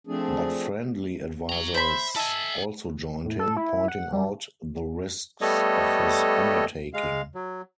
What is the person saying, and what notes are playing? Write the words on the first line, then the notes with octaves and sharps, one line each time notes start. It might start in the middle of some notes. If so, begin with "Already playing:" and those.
But friendly advisers also joined him, pointing out the risks of his undertaking.
F3 A3 C4 D4 G#4
F#4 A#5
C5 E5 B5
A4 D#5 E5 G#5 A5
A2
A4
E4
F#5
G3
G3 A3 B3 A4 C#5 D#5
G#3 F5
F#3